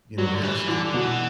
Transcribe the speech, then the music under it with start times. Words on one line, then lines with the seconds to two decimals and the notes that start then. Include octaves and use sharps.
you know, has to
0.18 F#3 G3
0.35 D3
0.43 E3
0.68 D3 E3
0.85 D3
0.94 B2
1.02 E3